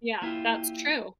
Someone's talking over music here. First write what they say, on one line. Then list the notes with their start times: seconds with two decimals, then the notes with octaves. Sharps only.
Yeah, that's true.
0.22 A#3 E4 F4 G4